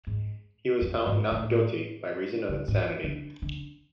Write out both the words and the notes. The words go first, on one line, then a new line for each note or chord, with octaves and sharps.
He was found not guilty by reason of insanity.
G#2
F#2
G#2
A2
D3
G#2
D3
D3